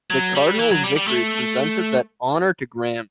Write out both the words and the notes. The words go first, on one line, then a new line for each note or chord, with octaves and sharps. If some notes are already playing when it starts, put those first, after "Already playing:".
The Cardinals' victory presented that honour to Graham.
F#3
G3
E3
F#3
G3
G3
A3